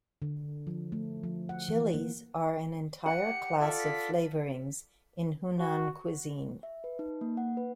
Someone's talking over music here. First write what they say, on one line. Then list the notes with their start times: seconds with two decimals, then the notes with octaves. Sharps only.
Chilies are an entire class of flavourings in Hunan cuisine.
0.22 D3
0.67 F3
0.92 A3
1.23 F3
1.49 F#5
1.69 E3
1.94 A#3
3.06 F#5 C#7
3.25 G4
3.60 F4 A4 D5 E5
3.79 B6
5.59 F#4
6.63 E5
6.84 B4
6.99 D#4
7.21 A#3
7.37 F#5
7.57 B4